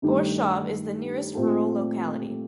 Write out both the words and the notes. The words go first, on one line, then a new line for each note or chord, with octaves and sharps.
Borhshchov is the nearest rural locality.
G2 D#3 A3 D#4 G4
A#2 A3 C4 F4 A4